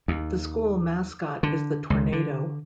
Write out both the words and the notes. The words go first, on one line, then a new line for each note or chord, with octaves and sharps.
The school mascot is the Tornado.
D#2
D3
C#2
D3